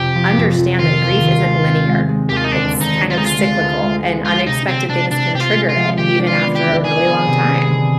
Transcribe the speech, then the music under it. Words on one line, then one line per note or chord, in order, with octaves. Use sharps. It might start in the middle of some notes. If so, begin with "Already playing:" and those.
understand that grief isn't linear. It's kind of cyclical, and unexpected things can trigger it even after a really long time.
Already playing: F2 C3 G4
F3
F2
F2
D#3 F4
D#2
D#3
G#3
C4
G#3
G#3
D#2 G4
F4
D#4
D2 D4
D3
D#4
D2
F4
G#3 D#4
F4
G#3
D2
G#3
G#3
G#3 F4
C3 D#4
C3 C4
C3 D4
C3 D4
C3 G4
F4
G#3
F4
F3
D#3 G4
D4
F4
B3
G4
D4
D#3 G#4
B3
C3
B3
D3